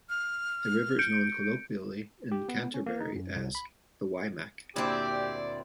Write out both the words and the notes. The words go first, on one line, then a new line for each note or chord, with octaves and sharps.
The river is known colloquially in Canterbury as "The Waimak".
F6
G6 C#7 D7
G4
B3
C#4
A#3
D#4
F#2
C2
B5
D2 A#2 C4 D4 E4 G4 D5